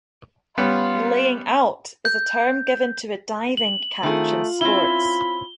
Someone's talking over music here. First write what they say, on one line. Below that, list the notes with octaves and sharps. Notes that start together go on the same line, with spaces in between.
"Laying Out" is a term given to a diving catch in sports.
G3 B3 C#4 F4
G6
F#7
D#3 A3 C4 F4 G#4
C4 C#4 E4 B5 G7